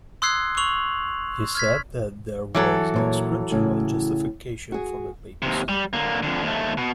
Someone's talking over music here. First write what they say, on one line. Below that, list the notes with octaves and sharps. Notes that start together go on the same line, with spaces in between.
He said that there was no scriptural justification for the papacy.
C6 D#6 E6 F#6 G#6 C7
C#6 E6 F7 F#7
F6 G#6 B6
E3 F#3 A4
A#2 C5 C#5
A2 C#3 E4
F#4 G#4
D#2 C3
G3
D3 A#3
F2 D3
D#2 A3
B2